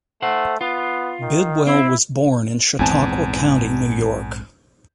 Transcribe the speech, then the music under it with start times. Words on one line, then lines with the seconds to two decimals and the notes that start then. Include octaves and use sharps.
Bidwell was born in Chautauqua County, New York.
0.22 A3 C5 F#5
0.61 B3 F4
1.22 D#3
1.67 C4 E4
2.79 A#1 E2 G#2 C4 G#5 A5